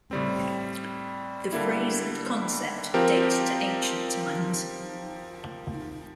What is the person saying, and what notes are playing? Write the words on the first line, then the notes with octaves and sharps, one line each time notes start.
The phrase and concept date to ancient times.
A2 G3 C4
D3 G3 A#3 E4
F3 C4 G4 A#4